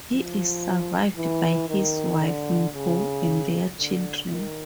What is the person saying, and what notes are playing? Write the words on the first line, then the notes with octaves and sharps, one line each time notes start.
He is survived by his wife Mpho and their children.
F3
E3
D#3
D3
C#3
D3
D#3